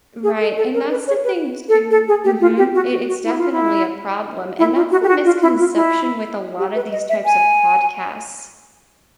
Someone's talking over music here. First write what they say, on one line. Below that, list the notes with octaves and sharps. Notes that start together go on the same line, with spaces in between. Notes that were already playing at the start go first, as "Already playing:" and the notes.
Right, and that's the thing too Mhm. I it's definitely a problem and that's the misconception with a lot of these types of podcasts.
G#4
A4
A4
A#4
B4
C#5
B4
A4
A4
G#4
G4
F4
G4
F#4
F#4
F#4
E4
F4
E4
E4
F4
F#4
G4
F#4
F4
E4
F4
E4
G4
B4
D#5
E5
G#5